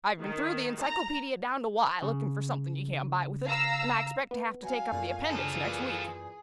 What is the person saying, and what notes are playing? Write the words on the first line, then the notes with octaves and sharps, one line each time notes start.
I've been through the encyclopaedia down to Y looking for something you can't buy with it; and I expect to have to take up the appendix next week.
D#3
A#5
C#3
F5 A#5 E6
B3
F#3 F5 G#5
F#2 A#2 A3 G#4
D2 C#3 F4 G#4 A4 D6
E2 A#2 D6